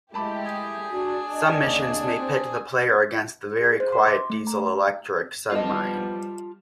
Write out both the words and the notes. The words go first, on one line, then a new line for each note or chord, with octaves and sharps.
Some missions may pit the player against the very quiet diesel-electric submarine.
G#3 A3 E4 G4 A5 B5 D6
G#4 G#5
D4 F#4
D#5
D#2 C#3 A#3
C4
G#4
C5
C6
D6
A3
A#5
G3 B3 F4 C5 D#5 A5